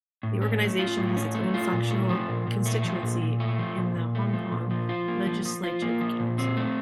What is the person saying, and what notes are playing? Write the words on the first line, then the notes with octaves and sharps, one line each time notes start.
The organisation has its own functional constituency in the Hong Kong Legislative Council.
A2
C#4
A3
F4
A2
C#4
A3
F4
A#2
A3
F3
A#2
A#2
A3
F3
A#2
A#2
A3
F3
A#2
A#2
A3
F3
A#2
F3
F4
A#3
F3
F3
F4
A#3
F3
A#2
C4
A3